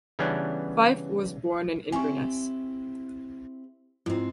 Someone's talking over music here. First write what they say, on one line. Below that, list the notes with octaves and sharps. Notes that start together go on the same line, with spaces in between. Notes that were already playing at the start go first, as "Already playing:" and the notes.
Fyffe was born in Inverness.
C#3 E3 G3 B3 C#4 D4
C4 E4 G4 G#5 C#6
G#2 C4 E4 F4